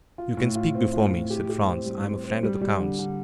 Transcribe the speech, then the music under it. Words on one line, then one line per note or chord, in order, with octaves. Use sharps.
"You can speak before me," said Franz; "I am a friend of the count's."
F4
A2
F4
C4
F4
A2
G4
G4
C4
G3
C4
C4
G3
G3
D3
D3